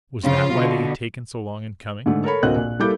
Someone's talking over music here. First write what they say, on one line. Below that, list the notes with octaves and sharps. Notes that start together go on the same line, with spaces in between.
Was that why they had taken so long in coming?
C#3 F3 F4
B2 D3
G#2 D3 A3
A4 A#4 C#5 B5
D2 A2 A#3 C4 D#5 F#6
A#1
G3 A#3 E4 A4 D6 G6